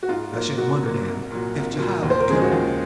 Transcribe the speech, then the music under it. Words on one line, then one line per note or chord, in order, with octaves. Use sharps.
I shouldn't wonder, now, if Jehiel would come.
F#4
G#2 F4
F#3 A#3 F4
G#2 F#4
F#3 A#3
C2
A#2 F#3
C2
A#2 F#3
D#2
C5
A#4
C#3 F3 G#3 G#4
F#4
D#2 F4